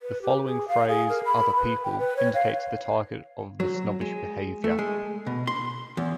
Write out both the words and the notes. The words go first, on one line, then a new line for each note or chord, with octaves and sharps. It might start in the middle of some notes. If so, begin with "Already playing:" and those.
The following phrase "other people" indicates the target of the snobbish behavior.
B4
G4
G#4
F5
G#4
A#4
B5
B4
G5
B4
C#5
F5
F#3
G#3
A3
G#3
B2
C6
E2